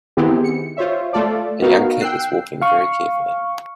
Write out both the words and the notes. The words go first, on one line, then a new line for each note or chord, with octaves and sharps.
A young kid is walking very carefully.
D#3 B3 C4 E4 G4 G#4
C#7
F4 C5 C#5 E5
A3 F4 A4 D5
B3 D#4 F#4 A#4 F5
G5 E6 F#6 C7
F5 C#6